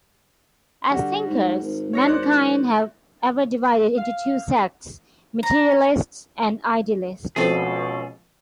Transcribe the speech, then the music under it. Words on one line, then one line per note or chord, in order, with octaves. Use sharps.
As thinkers, mankind have ever divided into two sects, materialists and idealists.
D3 G3 F#4
G#2
G#1
C#5 A#6 C#7
C5 D5 F#6
F5
A#5
C#2 B2 F3 A3 C4 G#4 A4